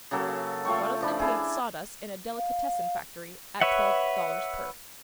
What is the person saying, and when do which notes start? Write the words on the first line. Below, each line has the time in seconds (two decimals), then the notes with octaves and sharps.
One of them paints sawdust in a delicatessen factory at twelve dollars per.
0.11 C#3 F#3 A#3 A4
0.65 A3 F4 G5 C#6
1.01 F3 D4 B5
1.19 E4 G#4
2.37 F5
3.61 B4 C#5 E5 F#5